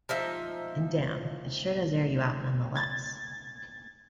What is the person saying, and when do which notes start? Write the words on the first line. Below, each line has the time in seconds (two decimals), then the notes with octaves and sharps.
And damn, it sure does air you out nonetheless.
0.09 F3 D#4 E5
2.76 G#6 A6